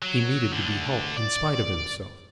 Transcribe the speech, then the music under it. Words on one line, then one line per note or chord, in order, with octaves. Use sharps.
He needed to be helped in spite of himself.
F#3
D2 D3
D5